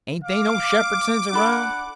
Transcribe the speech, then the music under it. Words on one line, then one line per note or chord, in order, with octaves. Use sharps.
"Ain't they no Shepherdsons around?"
F5 D6
D4 A4 F#5 B5